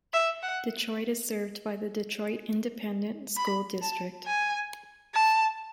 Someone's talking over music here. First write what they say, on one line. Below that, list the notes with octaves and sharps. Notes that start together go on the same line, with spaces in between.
Detroit is served by the Detroit Independent School District.
E5
F#5
B5
A5
G#5
A5